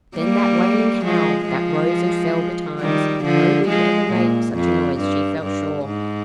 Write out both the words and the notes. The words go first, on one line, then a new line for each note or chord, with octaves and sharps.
Then that wailing howl that rose and fell betimes; no wind ever made such a noise she felt sure.
G3 A#3
F3 G#3
F3 G#3
D#3 G3
D3 F3
F3 G#3
A#2
F2
G2
G2
G#2